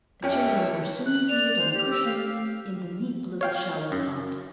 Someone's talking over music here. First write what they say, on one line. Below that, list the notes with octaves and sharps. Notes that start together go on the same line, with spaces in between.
The children were soon seated on cushions in the neat little shallow punt.
F2 C#4 G4 C#5 E5 G5
F#6
D5 F7
C5
G4
E6
F5
C#5 F5 G5
F#2